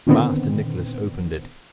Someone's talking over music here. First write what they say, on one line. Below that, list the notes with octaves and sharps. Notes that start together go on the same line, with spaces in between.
Master Nicless opened it.
A#2 D3 D#3 B3 C4